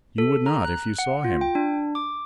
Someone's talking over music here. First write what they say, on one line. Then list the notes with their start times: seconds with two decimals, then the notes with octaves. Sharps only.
You would not if you saw him.
0.18 A4
0.46 A#5
0.65 F#6
0.99 F#5
1.25 F4
1.41 G5
1.55 D4
1.95 D6